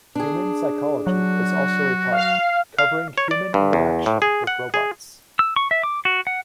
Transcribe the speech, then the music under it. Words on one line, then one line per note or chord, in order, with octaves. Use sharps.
Human psychology is also a part, covering human interaction with robots.
D4 G#4
F#3 F#4
F5
F5
C#5
D5
G2
E2
A2
G#4
F#5
G#4
E6
C#6
E5
D6
F#4
F#5